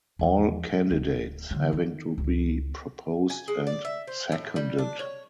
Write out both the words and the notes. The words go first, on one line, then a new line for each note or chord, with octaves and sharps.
All candidates having to be proposed and seconded.
E2 F3
D1 A3
D3 F#3
D#3 D#4
C#2 D#3
G#5
G#3
D5
E5
C5
A2
G3
D4
C#5